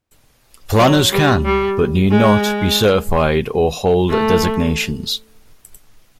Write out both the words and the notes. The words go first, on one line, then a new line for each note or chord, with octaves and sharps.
Planners can, but need not, be certified or hold designations.
F#3
G3
G3
G#3
A3